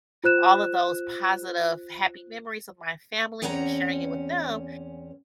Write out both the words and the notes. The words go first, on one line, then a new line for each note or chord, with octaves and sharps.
all of those positive, happy memories of my family and sharing it with them,
F4 C5 F#6 E7
E2 C4 C#4 F#5 G#5 A#5